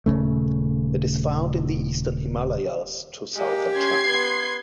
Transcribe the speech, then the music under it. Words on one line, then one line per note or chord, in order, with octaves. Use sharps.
It is found in the eastern Himalayas to southern China.
D#1 C#2 C#3 A3
G#3 A#3 G4
C#4 C6 G#6 C7
B3 C6